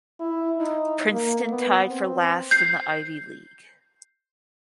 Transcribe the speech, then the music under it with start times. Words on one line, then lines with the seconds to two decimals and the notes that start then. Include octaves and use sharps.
Princeton tied for last in the Ivy League.
0.20 E4
0.59 D#4
1.12 A#3
1.50 B3
1.89 C4
2.51 G6 C7